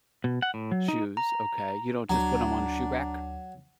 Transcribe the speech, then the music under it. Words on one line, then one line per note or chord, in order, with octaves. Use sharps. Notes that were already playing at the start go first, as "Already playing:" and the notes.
Shoes, okay, you don't just put 'em on shoe rack?
B2
F#5
A2
F#3
D#4
A#5
D2 F#3 D4 A#5